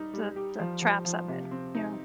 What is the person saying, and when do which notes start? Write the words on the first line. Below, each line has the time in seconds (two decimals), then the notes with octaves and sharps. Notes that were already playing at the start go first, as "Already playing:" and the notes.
the the traps of it, you know?
Already playing: G3 D#4
0.14 G3
0.36 G4
0.60 F3
0.82 F3
1.05 F3
1.28 C3
1.51 C4
1.75 D#4